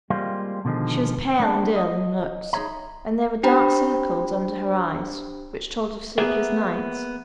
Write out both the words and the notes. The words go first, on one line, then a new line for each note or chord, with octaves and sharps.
She was pale and ill in looks, and there were dark circles under her eyes which told of sleepless nights.
G3 G#3 A#3 C4 F4
B2 D3 D#3 F3 G#3
A#3 B3 D4 E4 C5 A5
D#5
D#4 G#4 A4 C#5 E5 A#5
D4 G4 C5 G5 A#5 B5
A#3 B3 G#4 E5